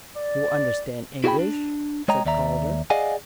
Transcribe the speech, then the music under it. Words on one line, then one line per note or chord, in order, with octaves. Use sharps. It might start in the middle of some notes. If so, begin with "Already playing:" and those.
"You understand English?" said Calder.
D5
E4 F#4 G#4 E5 G5 B5
D4
G#3 C#5 D#5 G5 A#5
D#2 D5 E5 A#5
G#4 D5 D#5 F5 F#5 G#5